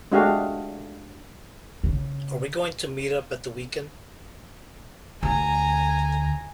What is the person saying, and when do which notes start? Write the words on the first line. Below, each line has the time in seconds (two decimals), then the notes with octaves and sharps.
Are we going to meet up at the weekend?
0.12 G#3 A3 D4 F#4 G4 F5
1.84 C#3
5.23 D2 G#5 A#5